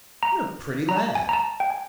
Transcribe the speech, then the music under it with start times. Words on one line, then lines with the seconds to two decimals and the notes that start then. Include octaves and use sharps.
"What a pretty lad!"
0.23 A#5
0.89 A#5
0.97 A5
1.15 G#5
1.29 A#5
1.33 A5
1.60 G5
1.70 G#5